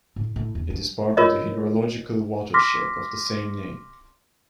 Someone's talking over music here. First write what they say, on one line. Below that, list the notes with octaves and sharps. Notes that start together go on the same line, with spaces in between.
It is part of the hydrological watershed of the same name.
A2
A2
E2
D4
F4 A#4 C#5 D#5
C6 D6 F6 A#6 B6